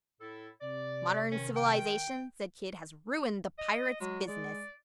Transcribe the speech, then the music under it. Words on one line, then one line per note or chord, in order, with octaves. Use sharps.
Modern civilization," said Kidd, "has ruined the pirate's business.
A2 E4 A4
C3 D5
D#3 C#4
G5
D#5
F#3 G#3
G#3 D5